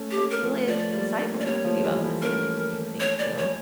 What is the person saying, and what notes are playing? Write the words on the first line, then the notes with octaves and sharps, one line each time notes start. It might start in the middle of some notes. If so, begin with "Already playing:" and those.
Well, it's really intr insightful talking to you about this and interesting, thank you.
Already playing: A3 C#4
G4
A3 C#4
A#4
F3 A3
F3 A3 D5
G3 A#3
A#3 D4
C#4 D5
G3 A#3 C#5
F3 A3
E3 G3
F3 A3
A3 C#4 A#4
C#5
D5
C#5